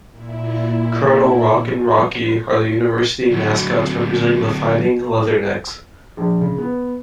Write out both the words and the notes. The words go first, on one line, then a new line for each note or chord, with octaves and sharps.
Colonel Rock and Rocky, are the University mascots representing "The Fighting Leathernecks".
A#2 E4
D2 F#3
A#1
C#3
B3